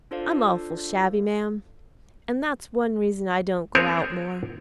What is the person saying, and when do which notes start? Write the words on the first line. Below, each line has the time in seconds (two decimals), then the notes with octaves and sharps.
I'm awful shabby, ma'am, and that's one reason I don't go out more.
0.11 D4 F4 A4 C5 D5 F5
3.75 B3 C4 G#4 A#4 C5 C#5